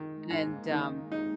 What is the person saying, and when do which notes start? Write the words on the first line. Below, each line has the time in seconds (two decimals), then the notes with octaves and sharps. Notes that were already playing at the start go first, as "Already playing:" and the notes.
and um
Already playing: D#3 D#4
0.16 G#3
0.30 G#2
0.44 A#3
0.71 D#3
1.12 D#4